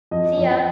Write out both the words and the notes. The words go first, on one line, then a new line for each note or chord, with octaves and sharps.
See ya!
F2 D#5
F2
G5